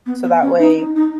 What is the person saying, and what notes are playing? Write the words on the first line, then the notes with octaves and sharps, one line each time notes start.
So that way,
B3
B3
C#4
D#4
D#4
D#4